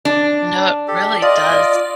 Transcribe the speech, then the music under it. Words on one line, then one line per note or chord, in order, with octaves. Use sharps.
No, it really does,
D4
G4 A4
F4 D5 D#5